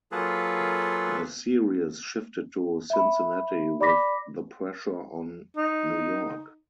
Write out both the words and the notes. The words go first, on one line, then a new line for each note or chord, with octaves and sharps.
The series shifted to Cincinnati with the pressure on New York.
F#3 A#3 F4 G#4 A4 B4
E5 B5
D5 B5 D6 A#6 B6
D#4